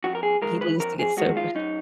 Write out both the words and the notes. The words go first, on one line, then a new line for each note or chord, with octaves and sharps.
People used to get so frust
F2 F#4
A#4
G#4
D#3 G#3 A#4
B4
F2 A#4
G#4
D#3 G#3 F#4
F4
F#2 D#4